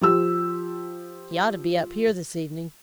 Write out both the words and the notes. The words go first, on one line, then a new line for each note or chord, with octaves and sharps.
He ought to be up here this evening.
F3 G4 E6